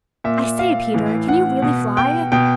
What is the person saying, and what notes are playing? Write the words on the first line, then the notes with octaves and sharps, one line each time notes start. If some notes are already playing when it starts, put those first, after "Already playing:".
"I say, Peter, can you really fly?"
A#2 E5
F5
A2 E3
F#5
B2
G5
B2 G5